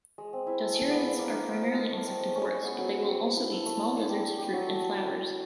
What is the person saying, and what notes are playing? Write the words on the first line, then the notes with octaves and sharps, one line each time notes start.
Dasyurids are primarily insectivorous, but they will also eat small lizards, fruit, and flowers.
G#3
C4
E4
A4
G#3
B3
F3
A#3
A#3
D#4
F3
A#3
A3
C4
G#3
C#4
G#3
B3
F#3
A#3
C4
E4
E4
A4
A3
C#4
D4
G4
E4
G4
F#3
A3